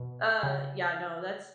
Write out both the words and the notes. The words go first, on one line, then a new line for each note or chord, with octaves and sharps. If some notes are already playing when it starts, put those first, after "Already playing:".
Uh. Yeah, no. That's
Already playing: B2
C#3